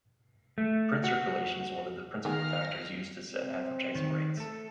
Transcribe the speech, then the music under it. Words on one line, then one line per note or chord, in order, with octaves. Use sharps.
Print circulation is one of the principal factors used to set advertising rates.
A3
F#4
D#3 B3 G#4 F5 F6 A#6
C4
D#3
A3 A4